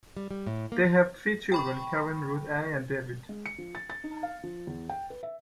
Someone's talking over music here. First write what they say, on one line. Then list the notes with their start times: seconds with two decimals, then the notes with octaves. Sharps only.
They have three children: Karen, Ruth Anne, and David.
0.17 G3
0.31 G3
0.47 A2
0.72 A#3
0.85 F3
1.52 G5 B5 C#6
3.29 G#3
3.46 C#7
3.58 F3
3.75 A6
3.90 A6
4.04 D#4
4.23 F5
4.44 F3
4.67 E2
4.89 G5
5.10 B4
5.23 E5